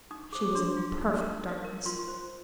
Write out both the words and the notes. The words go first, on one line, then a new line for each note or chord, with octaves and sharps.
She was in perfect darkness.
D#4 D#6
G#4 C5 D6
D4 C6
F4 G#4
D#4
A#4
D#4
A#4
F4 C6
C5